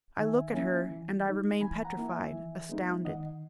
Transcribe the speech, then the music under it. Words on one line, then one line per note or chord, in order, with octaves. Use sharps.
I look at her, and I remain petrified, astounded.
D#3 E5 G#5
A#3 C#4 E4 E5 G#5
E3
G#3 D#4
E3 G#5 B5
F#5 A#5
A#3 E4
E5 G#5
E3
G#3 B3 D#4
D#3 D#5 F#5